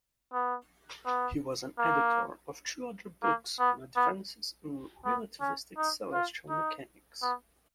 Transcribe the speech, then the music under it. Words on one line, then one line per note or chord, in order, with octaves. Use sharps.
He was an editor of two other books on advances in relativistic celestial mechanics.
B3
B3
A#3
A#3
B3
B3
B3
C#4
D#4
F4
D#4
B3